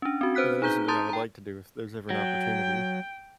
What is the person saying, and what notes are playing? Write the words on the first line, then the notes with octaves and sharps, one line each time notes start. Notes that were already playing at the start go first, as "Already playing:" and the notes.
and that is something I would like to do if there's ever an opportunity.
C#4 D4
C4 F#4
B4 C5 F6 F#6 B6
D#4 G#4 A#5 G6 G7
A5 A#5 C6 D#6 G6 A6
G5 A#5
F#3 G5